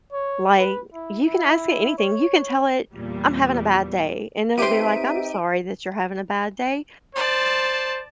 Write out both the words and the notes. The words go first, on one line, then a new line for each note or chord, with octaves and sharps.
like, you can ask it anything, you can tell it, "I'm having a bad day," and it'll be like, "I'm sorry that you're having a bad day,
C#5
B4
E4
E4
C#5
E2 A#2 G3
C4 D#4 G4 B4 C5 E5 D7 D#7
C5 D5 A5